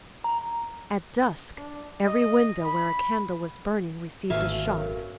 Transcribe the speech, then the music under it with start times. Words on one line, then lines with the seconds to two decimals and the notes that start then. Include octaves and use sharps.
At dusk, every window where a candle was burning received a shot.
0.24 A#5
1.57 D4
2.06 D#5
2.64 B5
4.30 G#1 D2 B2 A3 E5 F5 G#5
4.66 B1 F#2 C#3